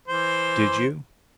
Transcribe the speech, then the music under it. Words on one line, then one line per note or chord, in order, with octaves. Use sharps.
"Did you?"
E3 C5